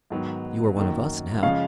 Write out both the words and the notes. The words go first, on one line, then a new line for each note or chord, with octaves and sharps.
You are one of us now.
G#2 D#3 F#3 B3
F#2 D#3 A#3
C#3 F3 G#3 C#4 F5